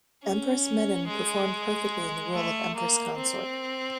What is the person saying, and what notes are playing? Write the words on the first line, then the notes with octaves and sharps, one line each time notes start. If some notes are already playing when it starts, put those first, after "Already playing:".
Empress Menen performed perfectly in the role of Empress-consort.
C#4
G#3
A3
A#3
C4